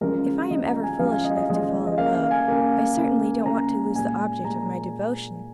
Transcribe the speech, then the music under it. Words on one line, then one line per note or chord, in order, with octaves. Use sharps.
"If I am ever foolish enough to fall in love, I certainly don't want to lose the object of my devotion."
C#3 F3 G#3 A#4
C#3 F3 G#3 D#5
A#5
G#5
C#3 F3 G#3 F5
G#5
D#5
D#5
C#3 F3 G#3 D#5
D#5
C#3 A#3 F5
F5
G#5
C#3 A#3
C#3 A#3
C#3 A#3 A#5
A#2 G#3 G#5
A#2 G#3 A#5